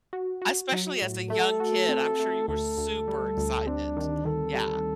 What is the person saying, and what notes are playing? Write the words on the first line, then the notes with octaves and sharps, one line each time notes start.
Especially as a young kid, I'm sure you were super excited. Yeah.
F#4
F#4
F#3
A2
A3 A4
F#4
C4
A3
D2 A4
D2
G3
D2
C4 D4
D#3
D#3 A4
G3